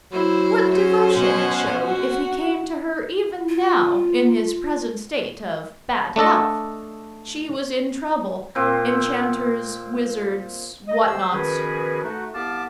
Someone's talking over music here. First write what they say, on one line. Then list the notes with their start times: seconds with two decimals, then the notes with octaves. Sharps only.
What devotion it showed if he came to her even now--in his present state of bad health! She was in trouble: enchanters, wizards, what-nots.
0.12 F#3 E4 C5
0.72 C#4 C5
1.15 B2 F#5 G#5
1.82 F#4
3.49 F4
6.16 A3 D4 A4 D#5
8.55 A#2 C4
10.88 D#5
11.05 G4 C5 E6
11.32 B2 D#3 F3 C#4 G#4 B4
12.03 A3 D#4 F#4
12.33 C2 B3 F5 A5 D6 F6